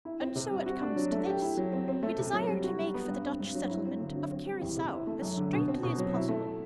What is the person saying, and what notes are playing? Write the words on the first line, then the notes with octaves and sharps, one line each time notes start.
And so it comes to this: We desire to make for the Dutch settlement of Curacao as straightly as possible.
E4
C4
C3
G3
F#4
D4
F#3
A3
G4
E4
F#3
C4
C4
A3
C3
F#3
G3
F#4
G3
B3
G2
C4
G2
F#3
E4
C4
D3
F#3
C4
G3
E2
C3
E4
A3
F#2
D3
B2
C4
B2
F#3
E4
A3